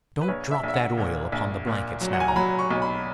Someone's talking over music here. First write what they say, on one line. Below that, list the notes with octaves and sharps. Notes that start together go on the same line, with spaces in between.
"Don't drop that oil upon the blankets, now."
B4
A#1 C#5
E5
A#1 E5
F#5
A#2
A#1
A#2
F#3
F#5
G#5
A#5
F#3 B5
C#6
B1
B5